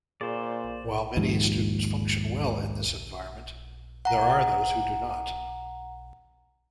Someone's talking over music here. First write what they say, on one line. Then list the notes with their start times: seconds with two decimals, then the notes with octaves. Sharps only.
While many students function well in this environment, there are those who do not.
0.21 A#2 G#4 C5 D5
1.17 D#2 G#2 F3
4.05 F#5 A#5